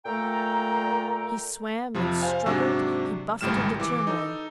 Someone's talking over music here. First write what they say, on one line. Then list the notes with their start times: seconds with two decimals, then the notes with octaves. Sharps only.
He swam, and struggled, he buffetted the turmoil.
0.06 A#2 A3 A4 G5 A#5
1.94 F2 C3 F3
2.22 C5 F5 G#5
2.46 G#2 C3 F#3 D4
3.41 G#1 C#2 A2 G3 F6 E7
3.80 E3 D6
4.07 D#4 A4